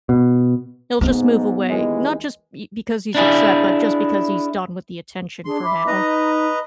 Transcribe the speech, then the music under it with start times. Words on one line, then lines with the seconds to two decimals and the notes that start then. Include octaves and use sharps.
he'll just move away, not just b because he's upset, but just because he's done with the attention for now.
0.09 B2
1.01 B1 G#2 B3
1.69 D#2 E3 G#3
3.15 D4 E4 G#4
5.45 D4 G#4 C6
5.62 E5 B5 D6
5.87 D#4 B4 D#5 A#5